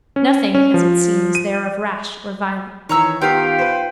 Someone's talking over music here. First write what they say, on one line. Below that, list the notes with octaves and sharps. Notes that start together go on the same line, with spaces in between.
Nothing, as it seems, there of rash or violent.
C#4
C#4
F3
D#7
D#3 E3 C#5 A#5 E6
D#3 B3 F4 G4 F5 G5
B4 C5